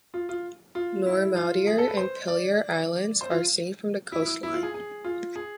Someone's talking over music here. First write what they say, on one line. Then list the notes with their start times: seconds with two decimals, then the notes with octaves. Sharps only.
Noirmoutier and Pilier Islands are seen from the coastline.
0.14 F4
0.29 F4
0.75 F4
1.06 E4
1.36 F4
1.67 G#4
1.78 A4
1.88 B4
1.97 C5
2.28 D5
3.21 C5
3.31 F4
4.12 E4
4.22 E4
4.43 E4
4.54 F4
4.63 G#4
4.74 G#4
5.04 F4
5.36 G#4